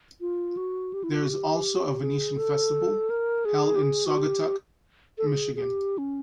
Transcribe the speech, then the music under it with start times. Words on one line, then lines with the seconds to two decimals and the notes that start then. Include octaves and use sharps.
There is also a Venetian Festival held in Saugatuck, Michigan.
0.21 F4
0.57 F#4
0.93 G4
1.04 E4
1.11 F4
1.21 F#4
1.29 G4
2.02 G#4
2.37 A4
3.10 A#4
3.45 G#4
3.75 G4
3.82 G#4
4.06 F#4
4.18 G4
5.18 A4
5.27 G#4
5.56 G#4
5.62 G4
5.98 C#4